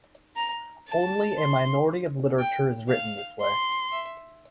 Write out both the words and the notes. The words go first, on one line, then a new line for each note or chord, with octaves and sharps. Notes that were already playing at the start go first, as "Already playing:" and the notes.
Only a minority of literature is written this way.
A#5
A5
C6
G5
F5
C6
E5